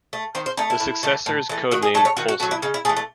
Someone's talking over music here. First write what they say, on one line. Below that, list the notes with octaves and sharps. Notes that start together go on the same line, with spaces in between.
The successor is code-named "Poulson".
A3
D#3 C5
C5
A3 D#4
E4
A2
E3 A3
A2
E3 A3
D#3 F#4
G#4
F#3 A3 A4
C#5
D#3 F#4
F#4
F#3 A3 F#4
E4
C#3 D#4
E4
A3 G#4
E3
A3